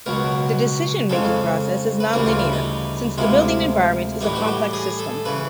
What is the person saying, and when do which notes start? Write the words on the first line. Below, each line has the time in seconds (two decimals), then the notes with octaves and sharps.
The decision-making process is non-linear, since the building environment is a complex system.
0.06 C#2 B2 F#3 A#4
1.10 F2 C#3 F3 G#3 A4
2.00 B4
2.13 D2 C#3 E3 G3 A#4
2.26 F4
2.39 E4
2.53 D#4
3.18 D2 C3 F3 G#3 E4
4.21 A2 E3 G3 D#4
4.35 F#4
4.47 G4
4.73 G#4
4.99 A4
5.25 C#3 E3 B4